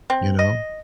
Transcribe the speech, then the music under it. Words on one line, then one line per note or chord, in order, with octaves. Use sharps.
You know?
C4
D#5